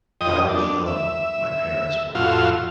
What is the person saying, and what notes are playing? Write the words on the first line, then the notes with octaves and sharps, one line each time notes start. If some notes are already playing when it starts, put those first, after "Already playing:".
when I was young, my parents were
F2 D#5 G5 D#6
D4
E5
F2 A2 F4 F#4 F5 E6